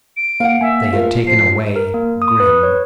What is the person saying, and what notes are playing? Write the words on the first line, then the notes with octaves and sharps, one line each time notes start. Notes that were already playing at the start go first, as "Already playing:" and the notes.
They had taken away Grimm.
D7
A#3 F5 F#5
A#3 E5 G#5
A3 F4 A#4 F5
F3 C7
A#4
A#3
D#6
B4
C#5